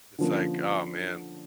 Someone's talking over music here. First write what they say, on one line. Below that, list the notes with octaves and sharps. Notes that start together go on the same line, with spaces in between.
It's, like, oh, man,
D3 F3 A#3 C#4